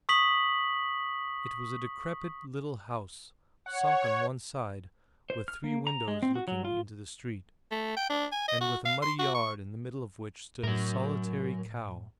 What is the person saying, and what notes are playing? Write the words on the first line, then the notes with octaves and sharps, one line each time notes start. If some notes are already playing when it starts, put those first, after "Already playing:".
It was a decrepit little house, sunk on one side, with three windows looking into the street, and with a muddy yard, in the middle of which stood a solitary cow.
C#6 D#6 B6 F#7
C#5 F#5
C5
F6
A#3
A#5
G#3
C4
F#4
F#3
F4
A3
G5
D4
G#5
D#5
F#4
F5
C6
F#4
C#6
A2 F#3 A#4